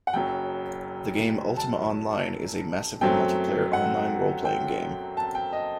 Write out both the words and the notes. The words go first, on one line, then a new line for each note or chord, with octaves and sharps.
The game, "Ultima Online", is a massively multiplayer online role-playing game.
F#5
F#1 F#2 F#3 G5
A5
F#2 F#3 A3 C4 G5
F#5
G5
A5
G5
D#5